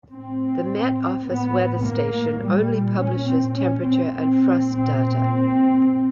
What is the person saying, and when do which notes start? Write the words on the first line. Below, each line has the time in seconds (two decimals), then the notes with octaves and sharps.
The Met Office weather station only publishes temperature and frost data.
0.10 A2 C4
1.25 A2 B3
1.84 A#3
2.42 A#2 G3
2.99 C#4
3.28 C4
3.57 A#2 C#4
3.86 C4
4.15 C4
4.72 A#2 C4